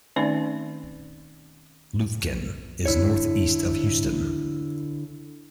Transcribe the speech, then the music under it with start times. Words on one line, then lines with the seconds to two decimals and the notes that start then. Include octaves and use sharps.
Lufkin is northeast of Houston.
0.16 D#3 A3 C4 C#4 D#4 D5
2.86 D3 E4 C#5